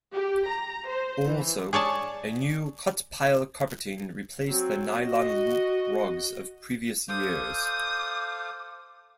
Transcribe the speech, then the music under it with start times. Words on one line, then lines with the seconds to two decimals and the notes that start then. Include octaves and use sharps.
Also, a new cut-pile carpeting replaced the nylon loop rugs of previous years.
0.13 G4
0.49 A#5
0.87 C5
1.25 E3
1.73 G#4 C#5 D5 A5
4.49 F#3 C4
4.99 F#4 D#5
7.09 A4 C5 F5 D6 D#6 G6